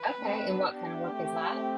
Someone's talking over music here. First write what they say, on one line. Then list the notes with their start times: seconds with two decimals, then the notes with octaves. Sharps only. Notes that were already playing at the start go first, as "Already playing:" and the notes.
Okay, and what kind of work is that?
Already playing: B4
0.18 A3 C4
0.44 B3 D4
0.69 B3 D4 G4
1.08 A3 C4
1.48 A3 C4